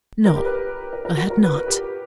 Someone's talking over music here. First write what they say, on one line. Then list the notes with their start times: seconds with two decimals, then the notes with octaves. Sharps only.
No, I had not.
0.26 A#4
0.36 G4
0.45 B4
0.93 A#4
1.05 A#4
1.17 F#4
1.30 A#4
1.43 B4
1.56 A#4
1.68 G4